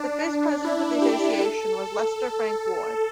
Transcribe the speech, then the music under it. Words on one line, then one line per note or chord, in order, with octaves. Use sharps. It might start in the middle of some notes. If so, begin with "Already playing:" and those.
The first president of the association was Lester Frank Ward.
Already playing: D4
E4
G4
A4